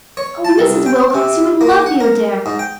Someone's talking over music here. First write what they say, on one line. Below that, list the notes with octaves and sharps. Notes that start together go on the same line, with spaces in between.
Oh, Mrs. Wilcox, you would love the Oder!
C#5
A5
C2
G5
C3
A#3
F#5
A#4
G#2
G5